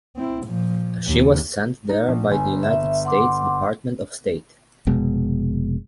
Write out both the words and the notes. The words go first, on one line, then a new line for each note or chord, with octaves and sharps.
She was sent there by the United States Department of State.
C4 E4
A#2 F3
D#2
D#4
A#1
G1 G#5
E5
F#5 C6 D6
F1 B2 G#3